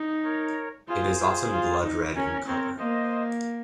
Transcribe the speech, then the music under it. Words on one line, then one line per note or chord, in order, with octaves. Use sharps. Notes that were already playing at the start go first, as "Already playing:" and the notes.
It is often blood-red in colour.
Already playing: D#4
A#4 C#5
F4 G#4 C5
F4
F4
D#4
C#4 A#4 C#5
C4 A#4 C#5
A#3 C5 D#5